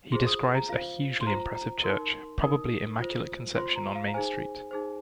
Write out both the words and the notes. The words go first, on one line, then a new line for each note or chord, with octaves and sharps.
He describes a hugely impressive church, probably Immaculate Conception on Main Street.
F4 G#4 C5 C6
D#6
A#5
F4 C5 F5
C6
F4 C5 A#5
A#5
D#4 A#4 C6
D#4 A#4 D#6
F4 C5
F4 C5 C6
A#5
F5
A#5
D#4 G#4 C5 G#5
D#4 G#4 C5